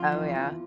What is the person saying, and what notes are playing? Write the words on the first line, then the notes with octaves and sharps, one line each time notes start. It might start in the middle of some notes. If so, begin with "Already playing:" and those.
Oh, yeah.
Already playing: F2 F4
E3
E2